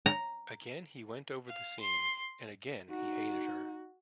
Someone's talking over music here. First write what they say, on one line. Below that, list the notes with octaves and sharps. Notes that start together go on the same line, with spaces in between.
Again he went over the scene, and again he hated her.
A#5
F5
C6
D#4 F#4